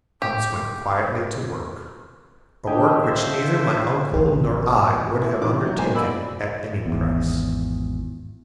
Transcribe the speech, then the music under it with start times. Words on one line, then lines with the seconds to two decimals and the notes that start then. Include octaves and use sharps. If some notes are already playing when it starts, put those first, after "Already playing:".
Hans went quietly to work--a work which neither my uncle nor I would have undertaken at any price.
0.22 G4
2.67 D4 G4 D#5 G5 G#5
3.02 F3 C5 E5
4.11 A1 F3
5.21 E4
5.41 A1 D#3 E3 D6
5.66 F#3
5.78 G#2 B2 A#3 C5 G#5
5.95 D5 F#5 B5 D6 E6
6.86 G#1 E2